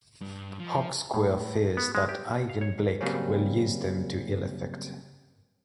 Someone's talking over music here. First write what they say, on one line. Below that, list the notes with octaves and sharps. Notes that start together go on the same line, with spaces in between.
Hawksquill fears that Eigenblick will use them to ill-effect.
G2
F3
A2
B3
G#3
G4
F5
C#5
C#3 F#3 G3 A#3 C4 C#4